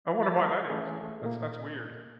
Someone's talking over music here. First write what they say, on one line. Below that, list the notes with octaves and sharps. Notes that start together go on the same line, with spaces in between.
I wonder why that is. That's that's weird.
F3 A#5 B5 A6
E3 A3 C#4 E4 G#4
A3
A#2 A#3